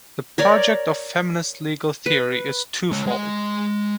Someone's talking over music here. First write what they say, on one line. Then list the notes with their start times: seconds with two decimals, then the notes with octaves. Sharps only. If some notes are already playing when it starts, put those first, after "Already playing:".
The project of feminist legal theory is twofold.
0.38 A#4 C#5 D5
2.06 B4
2.92 G#3 C#5
3.06 G#3 D#5